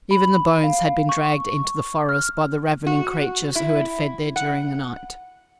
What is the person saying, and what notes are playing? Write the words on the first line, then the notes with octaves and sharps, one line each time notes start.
Even the bones had been dragged into the forest by the ravening creatures who had fed there during the night.
B5
F5
C#6
F6
F#4
E4
F#5